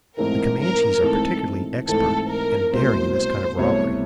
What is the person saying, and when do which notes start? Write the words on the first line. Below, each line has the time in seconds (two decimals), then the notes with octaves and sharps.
The Camanches are particularly expert and daring in this kind of robbery.
0.17 G#2 E3 A3 C4 D#4 A#4
0.60 A#4
1.02 G#2 E3 A3 C4 D#4 A4
1.88 G#2 E3 A3 C4 D#4 A4
2.30 A#4
2.73 C2 B2 F#3 A3 C5
3.16 C5
3.58 C2 B2 F#3 A3 C#5